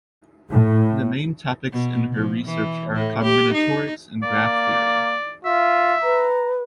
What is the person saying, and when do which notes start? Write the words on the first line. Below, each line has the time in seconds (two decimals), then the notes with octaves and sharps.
The main topics in her research are combinatorics and graph theory.
0.51 A2
1.72 B2
2.13 F3
2.44 E3
2.94 A2
3.23 G4
3.53 D#4
4.23 A#3 D5
5.45 F4 E5
6.03 B4 A#5